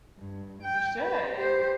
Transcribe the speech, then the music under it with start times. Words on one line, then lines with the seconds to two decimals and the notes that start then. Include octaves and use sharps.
You should.
0.18 G2
0.62 G5
1.02 B4
1.36 G4 C5